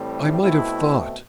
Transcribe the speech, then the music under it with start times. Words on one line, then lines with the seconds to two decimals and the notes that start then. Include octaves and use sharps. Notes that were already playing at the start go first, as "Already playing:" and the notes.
"I might have thought!"
Already playing: A2 E3 G3 C4
0.41 B2 A3 C4 E4